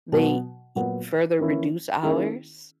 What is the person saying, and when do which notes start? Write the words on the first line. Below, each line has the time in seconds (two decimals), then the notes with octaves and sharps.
they e further reduce hours?
0.12 B2 F#3 B3 F#4
0.76 A#2 F#3 B3
1.39 E3 A#3 C#4 E4
2.03 D#3 A#3 C#4 E4 G#4